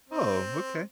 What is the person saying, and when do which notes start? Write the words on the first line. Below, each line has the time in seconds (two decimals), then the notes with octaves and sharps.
Oh, okay.
0.09 C4